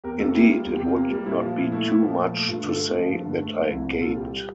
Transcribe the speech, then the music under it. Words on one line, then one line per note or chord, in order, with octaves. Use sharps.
Indeed, it would not be too much to say that I gaped.
E2 G4 A#4
C3 F4 A4
A#3 E4 G4
G3 F4
E2 F4
C3 G4
F4
A#3
G3
A#2 E4
F3 F4
A#2 E4
A3 E4
A#2
F3
A#2
A3
G2 F4
D3
F4 A4
A3
F3
G2
D3
A3
F3
C2 E4
A#2
C2 F4 A4
G3 E4 G4